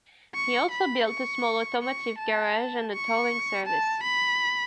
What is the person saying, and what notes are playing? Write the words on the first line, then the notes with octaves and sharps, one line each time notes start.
He also built a small automotive garage and a towing service.
C#6
B5
C#6
C#6
A5
C#6
A5
B5